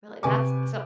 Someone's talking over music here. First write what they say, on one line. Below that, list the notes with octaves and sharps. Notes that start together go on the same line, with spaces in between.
Really? That's so
C3 B4 G#5 C#6 D6